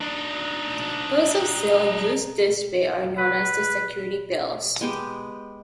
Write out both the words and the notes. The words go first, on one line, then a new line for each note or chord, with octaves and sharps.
Bills of sale used in this way are known as "security bills".
D4 D#4
B4
G#3 B3 G4 G5